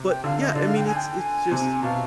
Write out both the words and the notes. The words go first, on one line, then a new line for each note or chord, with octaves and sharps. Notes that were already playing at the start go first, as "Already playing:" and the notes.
but, yeah, I mean, it's it's just
Already playing: C3
G5
D3 F5
D#5
D3 D5
F5
G5
G#5
G5
G#5
C3
B2 F5